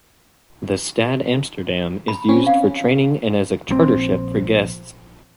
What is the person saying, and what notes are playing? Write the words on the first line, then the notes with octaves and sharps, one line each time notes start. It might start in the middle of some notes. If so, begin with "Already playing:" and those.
The "Stad Amsterdam" is used for training and as a charter-ship for guests.
B5
C4 C#4 C#5
F5
A#1 E3 C4